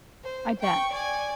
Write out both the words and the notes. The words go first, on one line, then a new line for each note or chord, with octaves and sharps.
I bet.
C5
G5 C#6
D5 G#5